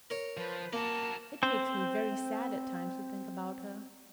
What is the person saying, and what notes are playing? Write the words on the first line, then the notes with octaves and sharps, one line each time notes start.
It makes me very sad at times to think about her.
A#4 C#5
F3 B4 C5
A#3 F#4 A#4 A5
C4 C5